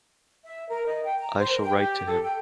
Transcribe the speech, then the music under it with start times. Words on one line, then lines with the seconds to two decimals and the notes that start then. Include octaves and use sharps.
I shall write to him.
0.44 E5
0.68 A#4
0.87 D#5
1.04 G5
1.18 A#5
1.38 C5
1.49 A#4
1.63 G5
1.77 G4
2.07 A4
2.24 G5